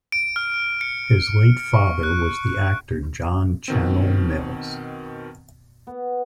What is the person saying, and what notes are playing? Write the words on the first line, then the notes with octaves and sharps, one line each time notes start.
His late father was the actor John Channell Mills.
D7
F6
C#7
C#6
F#6
B2 D#3 C4
B3